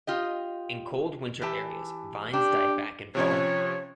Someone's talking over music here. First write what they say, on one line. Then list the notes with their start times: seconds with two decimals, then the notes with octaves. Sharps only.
In cold winter areas, vines die back in fall.
0.07 F4 G4 D#5
1.42 E3 G4 A5
2.33 D4 G4
3.15 C3 F3 C#4 C#5